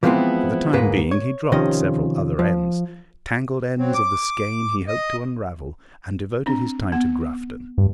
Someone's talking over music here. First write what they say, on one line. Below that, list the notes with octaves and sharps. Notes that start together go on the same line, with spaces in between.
For the time being he dropped several other ends--tangled ends of the skein he hoped to unravel--and devoted his time to Grafton.
E3 F3 G#3 B3 C4 E4
D2 G#2 G#3 A#3 B4
C#5
C3 D#3 F3 C#4 D#5
F3
F#3 C4
D6
D#5
C4 D4
B3 F#5
G2